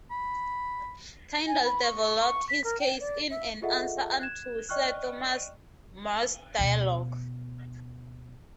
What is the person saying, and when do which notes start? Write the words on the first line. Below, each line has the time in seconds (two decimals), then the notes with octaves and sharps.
Tyndale developed his case in "An Answer unto Sir Thomas More's Dialogue".
0.11 B5
1.47 G#5
1.64 B5
1.82 C#6
2.20 C#6
2.48 B6
2.64 A#4
2.80 G5
3.00 D5
3.30 E5
3.62 F4 G#4 A4 D#5 E5 F#5
4.19 F#6 G#6 E7
4.69 D5 D#5 G5 C#6 F6 F#6
6.59 D2 B2